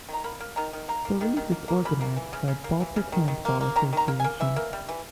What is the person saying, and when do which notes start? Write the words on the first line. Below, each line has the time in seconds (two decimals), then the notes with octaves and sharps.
The league is organized by Baltic Handball Association.
0.09 D#3 A#5
0.24 A#3 B5
0.40 A#3
0.56 D#3 A#5
0.73 D#3
0.88 A#3 A#5
1.05 A#3
1.21 D#3
1.37 D#3
1.52 A#3
1.68 A#3
1.85 C#3 B5
2.01 A#3
2.17 E3
2.33 C#3
2.48 C#3
2.64 A#3
2.80 E3
2.96 C#3
3.12 D#3
3.28 D#3
3.45 A#3
3.61 A#3
3.76 D#3 A#5
3.93 D#3 A#5
4.08 A#3
4.20 G#5
4.24 A#3
4.40 E3 E5
4.56 A#3
4.73 G3
4.89 E3